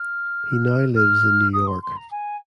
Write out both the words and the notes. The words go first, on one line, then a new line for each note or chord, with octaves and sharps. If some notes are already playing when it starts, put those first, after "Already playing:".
He now lives in New York.
Already playing: F6
F6
D#6
C6
C6
A#5
G#5